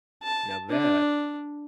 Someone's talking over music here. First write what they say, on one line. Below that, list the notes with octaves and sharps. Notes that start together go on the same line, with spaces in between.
Now that
A5
D4